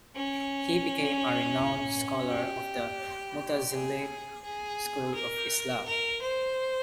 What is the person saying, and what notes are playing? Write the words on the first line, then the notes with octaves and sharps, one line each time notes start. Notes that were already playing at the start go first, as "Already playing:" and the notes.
He became a renowned scholar of the Mutazilite school of Islam.
C#4
G4
G#4
G#4
A#4
A#4
C5